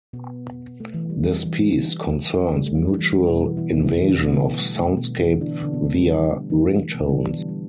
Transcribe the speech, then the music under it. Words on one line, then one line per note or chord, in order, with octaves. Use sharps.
This piece concerns mutual invasion of soundscape via ringtones.
B2 B3
A3
E3
G3
G3
E3
G3
A3
G3
G3
E3
G3
B2 B3
E3 E4
E3 E4
B2 B3
E3 E4
D3 D4
B2 B3
B2 B3
A3
G3
A3
B2 B3
E3 E4
D3 D4
D3 D4
B2 B3
A3
G3
E3
A3
B2 B3
D3 D4
E3
G3
G3